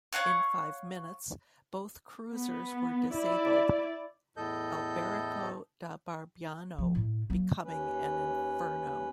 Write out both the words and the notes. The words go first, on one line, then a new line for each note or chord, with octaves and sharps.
In five minutes both cruisers were disabled, "Alberico da Barbiano" becoming an inferno.
C#5 F5 F#5 C#6
B3
E4 D5
E2 A2 A4 D#5 G6
F3
A2
F#3 A#3
D#2 C#4 B4